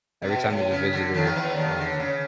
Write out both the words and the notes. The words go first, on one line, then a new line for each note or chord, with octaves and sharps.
every time there's a visitor, um,
C3
B2
A2
C#3
D3
D#2 D#3
F3
E2 E3
D#2 D#3
D3
C#3